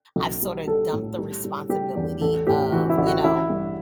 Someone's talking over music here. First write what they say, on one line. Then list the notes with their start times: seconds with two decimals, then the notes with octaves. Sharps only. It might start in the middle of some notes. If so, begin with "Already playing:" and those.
I've sort of dumped the responsibility of, you know,
0.16 B1
0.42 G3
0.67 G3 A4
0.93 A2
1.19 G3
1.45 G3
1.69 G3 G4
1.96 E2
2.21 A1 A4
2.47 A2 G4
2.72 E3 F#4
2.90 E4
2.98 A1
3.07 F#4
3.24 A1 E4
3.50 G2